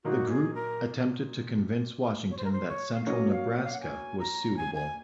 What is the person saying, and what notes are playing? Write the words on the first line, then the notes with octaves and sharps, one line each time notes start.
The group attempted to convince Washington that central Nebraska was suitable.
A#2 F#3 A#3 D#4 F#4
G#4
A#4
C#5
C5
A#4
C5
C#5
F5
F#3 A#3 C#4 F#4 C#5 D#5
F5
F#5
F5
F#5
G#5
A#5
G#5
G#5